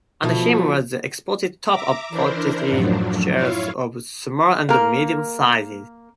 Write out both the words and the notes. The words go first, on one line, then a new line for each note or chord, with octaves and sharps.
Under him were the exposed tops of pottery jars of small and medium sizes.
B2 F3 A3
E5 A#5 D6
E3 D4 E4 A#4 C5
F#2 A2 F3 F#3 D4
E4 F4 C#5 F5
A#3 A#4